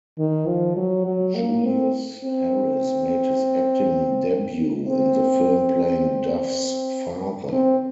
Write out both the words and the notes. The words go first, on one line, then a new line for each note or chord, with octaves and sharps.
Julius Harris made his acting debut in the film playing Duff's father.
D#3
F3
F#3
F#3
A#3
C4
C4
C4
C4